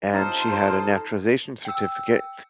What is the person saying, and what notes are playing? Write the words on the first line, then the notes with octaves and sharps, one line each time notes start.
and she had a naturalization certificate,
D#4 F4 A4 C5
G5 E6